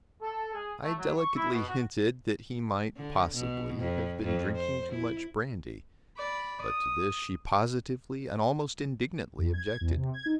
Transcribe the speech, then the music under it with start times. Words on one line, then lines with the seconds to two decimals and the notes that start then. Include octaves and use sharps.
I delicately hinted that he might, possibly, have been drinking too much brandy; but to this she positively and almost indignantly objected.
0.22 A4
0.54 G#4
0.82 A3
0.98 F#3
1.15 C#6
1.36 E4
1.51 B2
1.68 F#4
2.97 D3
3.34 B2
3.79 F2
4.23 F2
4.55 C5
4.92 E4
6.17 D5 B5
6.62 D#6
9.38 F2
9.54 G#6
9.65 G#6
9.81 E2
9.97 C3
10.14 G#6
10.26 D#4